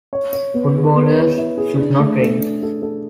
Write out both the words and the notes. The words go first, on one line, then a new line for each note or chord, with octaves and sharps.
Footballers should not drink.
C#5
C#5
B3
G#4
B3
E4
E4
G#4
D4
A3
A4
D4
A4
A4